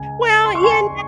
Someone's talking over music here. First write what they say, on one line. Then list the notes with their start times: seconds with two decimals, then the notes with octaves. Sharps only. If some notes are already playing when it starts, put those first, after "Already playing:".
Well, you
Already playing: C#2 C#3 G#5
0.45 C6
0.55 C#6
0.63 G#5 C6